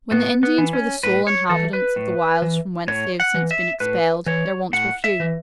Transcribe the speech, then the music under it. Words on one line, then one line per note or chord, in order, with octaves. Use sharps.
When the Indians were the sole inhabitants of the wilds from whence they have since been expelled, their wants were few.
A2 B3
B3
E3
C#4
A2 B4
C#5
E3 A4
B4
A2
E3
A2 C#5
F#5
E3
E5
A2 B4
E3 C#5
A2 F#5
E5
E3